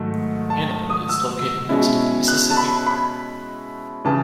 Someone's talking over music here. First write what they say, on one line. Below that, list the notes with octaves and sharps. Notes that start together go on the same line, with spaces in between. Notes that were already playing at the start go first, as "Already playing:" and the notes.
Hannibal is located next to the Mississippi River.
Already playing: G#2 D#3 F#3 A3
A5
D#6
E6
B2 G#3 C#4 E4
F#6
A5
B5
B5
C#3 E3 A5